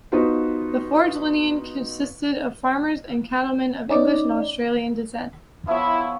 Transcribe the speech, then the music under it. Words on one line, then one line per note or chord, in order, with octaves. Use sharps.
The Ford lineage consisted of farmers and cattlemen of English and Australian descent.
B3 D#4 F4 F#4 B4 C5
C#4 D#4 D5
F3 B3 E4 C#5